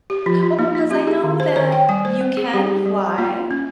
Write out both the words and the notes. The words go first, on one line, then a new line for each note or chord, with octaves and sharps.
Well, because I know that you can fly,
G4
F3 F4
F4
A#3 D#4
F4
C#4 G4
G#4
D#3
C5
D#3 C#5
G5
G3 G#5
C5
C4
G#4
G3 G4
G3
A#3 F4
C#4